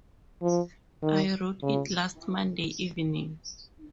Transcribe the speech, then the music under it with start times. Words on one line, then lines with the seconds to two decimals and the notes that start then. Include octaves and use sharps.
I wrote it last Monday evening.
0.43 F3
1.03 D#3
1.63 C#3